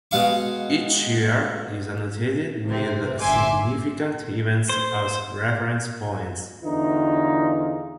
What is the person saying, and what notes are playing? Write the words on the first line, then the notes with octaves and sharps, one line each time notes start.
Each year is annotated with significant events as reference points.
B2 G#3 F5 C#6
C3 C4
G1 E5 G#5 C6 D6
C5
E2 D3 E3 D#4 F4